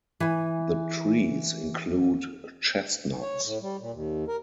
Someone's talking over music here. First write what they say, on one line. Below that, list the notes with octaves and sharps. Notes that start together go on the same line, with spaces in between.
The trees include chestnuts.
E3 G#5
C#5
A2
G3
A#2
D#2
A#4